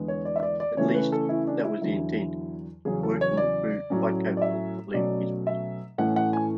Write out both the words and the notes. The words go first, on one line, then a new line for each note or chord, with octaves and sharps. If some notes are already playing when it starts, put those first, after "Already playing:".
At least, that was the intent; Dworkin proved quite capable of leaving his prison.
Already playing: E2 D3 G#3 B3
C#5
D5
E5
D5
D5
C#3 E3 A3 C#4 C#5
B4
A4
E4
D4
E4
E2 D3 F#3 E4
E2 C#3 F#3 C#4 G#4
A4
C#5
D5
A2 F#3 A3 C#4
D5
E5
B2 F#3 A3 C#4 D5
E5
A2 E3 A3 C#4 F#5
F#5
G#5